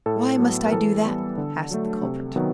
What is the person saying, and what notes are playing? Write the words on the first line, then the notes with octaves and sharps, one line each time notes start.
"Why must I do that?" asked the culprit.
A2 A4
F#3 B3
A#4
E3 A4
G3 B3
D3
F#3 A3
C3
D#3 F#3 B3